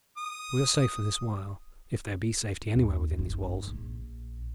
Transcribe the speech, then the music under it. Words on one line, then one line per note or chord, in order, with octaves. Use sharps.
We are safe for this while, if there be safety anywhere within these walls.
D#6
D#2
G1 D#4
A#1